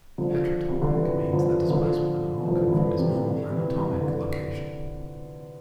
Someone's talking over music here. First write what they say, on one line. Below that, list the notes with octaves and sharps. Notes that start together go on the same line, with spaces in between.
Heterotopic means the displacement of an organ from its normal anatomic location.
D3 F3
C3
D3
C3 E3
D3 F3
E3
D3 F3
E3
D3 F3
E3
D3 F3
C3 E3
D3
C3 E3
C3 E3
D3